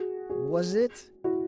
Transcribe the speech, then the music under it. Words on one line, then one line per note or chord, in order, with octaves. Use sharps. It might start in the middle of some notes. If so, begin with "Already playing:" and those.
"Was it?"
Already playing: F#4 G#4
F#4 G#4
E4 F#4